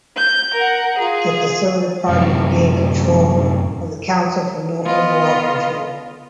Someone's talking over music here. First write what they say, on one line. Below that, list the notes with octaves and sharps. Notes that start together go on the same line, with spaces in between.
The Conservative Party regained control of the council from no overall control.
G6
A#4 F#5
F4 G#4
F#2 A2 C3
B3 F4 D#5